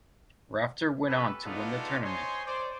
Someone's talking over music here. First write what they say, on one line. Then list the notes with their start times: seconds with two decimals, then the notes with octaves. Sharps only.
Rafter went on to win the tournament.
1.07 B3 C#4 G4 A4 B4
1.45 G#3 B3 D4 D#4 F4 A4
2.04 C5 C#5 D#5 G#5 C6
2.46 C5 D5